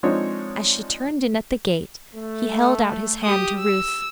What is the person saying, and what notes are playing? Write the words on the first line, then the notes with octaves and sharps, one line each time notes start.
As she turned in at the gate, he held out his hand to Ruth.
F3 G#3 C4 D4 D#4 C#5
A3
G4 D#6
E6